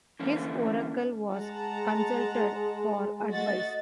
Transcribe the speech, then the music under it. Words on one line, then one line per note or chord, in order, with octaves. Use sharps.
His oracle was consulted for advice.
D3 E3 A#3 C#4
G#3 F#5 A5 A#5
A3 F#4 D#5 A6